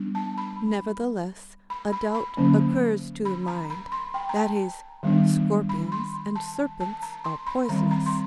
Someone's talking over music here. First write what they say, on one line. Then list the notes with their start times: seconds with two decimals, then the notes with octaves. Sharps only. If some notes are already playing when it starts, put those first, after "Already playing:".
Nevertheless a doubt occurs to the mind--that is, scorpions and serpents are poisonous.
Already playing: G3 B3 D4
0.15 A5
0.38 B5
1.70 B5
1.92 B5
2.15 B5
2.37 D3 F#3 A#3 C#4
3.25 B5
3.48 A#5
3.70 B5
3.92 C6
4.14 G5
4.29 A#5
4.37 A5
5.03 D#3 G3 B3 D4
5.69 B5
5.92 C6
6.36 A5
6.80 A5
7.02 A#5
7.24 C6
7.47 B5
7.69 D#3 G3 C4 A#5
7.91 A#5
8.06 C6